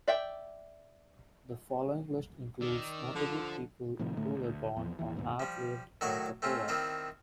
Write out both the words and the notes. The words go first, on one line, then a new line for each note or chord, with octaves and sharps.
The following list includes notable people who were born or have lived in Toccoa.
D5 E5 G5
D#3 D5 E6
D3 F3
A2 C3 D#3 F3
A2 D3 A3
D2
E2 F3
D#2 E3
D#2 G#2 B2
F3 G3
A2 D#3 F#3 D5 C#6 D6
A3 C4 C#4 F4
D#3 C4 E4 F4 D5